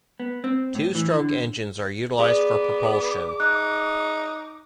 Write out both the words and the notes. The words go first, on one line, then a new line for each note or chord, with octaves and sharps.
Two-stroke engines are utilized for propulsion.
B3
C4
A2
E3
D3
B3 G#4 D5 D6
D#4 F#6